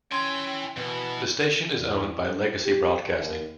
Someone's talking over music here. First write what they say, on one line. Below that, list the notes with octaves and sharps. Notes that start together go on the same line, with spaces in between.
The station is owned by Legacy Broadcasting.
C#4 E4 G5 G#5 C6 G#6
B2 E3 B4
E2
G3
G4
D#2